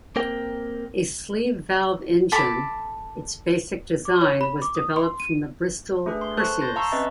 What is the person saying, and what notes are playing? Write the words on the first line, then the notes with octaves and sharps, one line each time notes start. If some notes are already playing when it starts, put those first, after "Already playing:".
A sleeve valve engine, its basic design was developed from the Bristol Perseus.
A#3 C4 A#4 G5
A4 A5 B5 D6
D6
C#5
B5
D6
D#6
C6
D#7
A3 D4 G#4 B4
C6
A4 C5 A5 C#6 F#6
C6 G6 A6 A#6
F5 A5 A#5 C6 C#6 E6
C4 C#4 B4 D#5 E5 A6